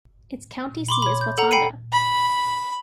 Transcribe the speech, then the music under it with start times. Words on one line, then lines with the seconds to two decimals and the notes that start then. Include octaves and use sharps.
Its county seat is Watonga.
0.88 B5 C6 D6
1.02 C#5 B5
1.21 G6
1.38 A4 F#5 A#5
1.51 G5 B5 C7 C#7 D#7
1.92 B5